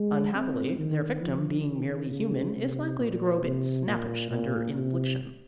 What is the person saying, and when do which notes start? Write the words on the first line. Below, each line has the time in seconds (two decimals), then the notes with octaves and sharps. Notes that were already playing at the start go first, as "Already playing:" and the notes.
Unhappily, their victim being merely human, is likely to grow a bit snappish under infliction.
Already playing: G#3
0.34 C4
0.78 D#3
1.22 F3
1.66 D#3
2.11 C#3
2.55 C3
2.99 A#2
3.43 C3
3.87 A#2
4.31 A#2
4.77 C3